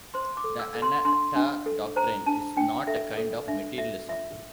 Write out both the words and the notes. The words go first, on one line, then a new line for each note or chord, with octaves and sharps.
The "anatta" doctrine is not a kind of materialism.
C5 C6
D6
A4
E6
A4
C6
D4 C6
D4
A4
C5 A#5
D4 A5
D4 G5
A4 E5
A4
D4 E5
A4 E5
F4 E5